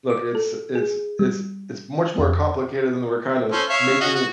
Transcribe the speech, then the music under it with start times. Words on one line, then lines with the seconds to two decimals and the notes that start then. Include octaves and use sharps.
look, it's it's it's it's much more complicated than we're kinda making it,
0.10 D6
0.35 A4
0.75 G#4
1.19 G3
2.18 F2
3.52 C#4 A4 C5
3.69 C#5 E5 F5
4.01 C#4 F#4 D#5
4.14 F#4